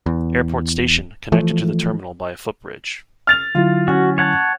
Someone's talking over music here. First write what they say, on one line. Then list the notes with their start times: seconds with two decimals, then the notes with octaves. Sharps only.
Airport Station, connected to the terminal by a footbridge.
0.06 E2
1.32 E3 F3 A3
3.27 F6 A6 F7
3.55 D3 F#3 E4 F4
3.88 C#4 F#4
4.18 C#5 F#5 A5